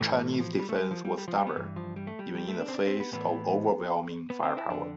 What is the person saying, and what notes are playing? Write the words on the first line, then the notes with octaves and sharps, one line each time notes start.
Chinese defense was stubborn even in the face of overwhelming firepower.
A2 E3 A3
F3
G3
A3
G3
F3
G3
G3
F3
G3
B3
G2 E3
F3
G3
A3
G3
G3
A3
D4
C4
D4
C4
B3
A2 E3 B3
B3
C4
E4
F2 D3 D4